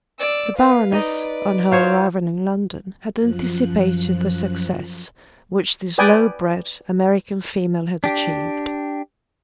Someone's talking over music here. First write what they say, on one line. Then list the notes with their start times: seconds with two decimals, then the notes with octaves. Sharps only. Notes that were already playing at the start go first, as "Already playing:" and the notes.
The Baroness, on her arrival in London, had anticipated the success which this low-bred American female had achieved.
0.20 D5 E6
0.56 B4 F5
0.92 D#4 B4 D5 D#5
1.72 F4 C5 C#5
3.19 F#2 F3 F#6
5.98 B4 D5 G5 G#5 D#6
8.04 D4 G4